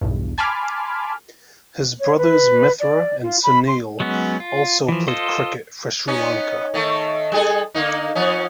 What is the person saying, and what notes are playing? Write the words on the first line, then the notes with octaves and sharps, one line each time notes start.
His brothers Mithra and Sunil also played cricket for Sri Lanka.
B1 E2 G2
G#5 A5 B5 C6 D6 F6
C#5
B4
D5
F4
B5
C6
F#3 G#3 B3 C#4
F4
E3 F3
F4 A4 C5 D#5
B3 C#4 D#4
D#3 A3
G3 G#4 A4
D3 A#3 D#4
F3 B3 C#4